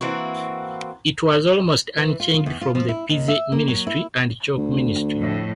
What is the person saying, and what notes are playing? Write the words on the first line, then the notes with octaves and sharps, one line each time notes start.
It was almost unchanged from the Pizzey Ministry and Chalk Ministry.
E3 A#3 C4 F#4
E3
F4
F4
E2
F4
F3
E4
D#2
E5
A#3
F#3
E4
D2
F2 A2